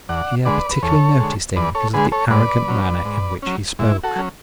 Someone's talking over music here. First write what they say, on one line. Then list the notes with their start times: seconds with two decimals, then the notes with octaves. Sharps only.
He had particularly noticed him because of the arrogant manner in which he spoke.
0.09 E2 D5 F#5
0.45 D3 G#3 B4 D5
0.71 B4
0.83 E2 A4 C#5
1.20 D3 G#3
1.56 E2 B4 D5
1.75 A4 C#5
1.94 D3 G#3 G#4 B4
2.12 A4 C#5
2.30 G#2 B4 D5
2.68 F#3 C#4
3.05 G#2
3.42 F#3 C#4
3.79 G#2 E4
4.03 F#4 A4
4.16 F#3 C#4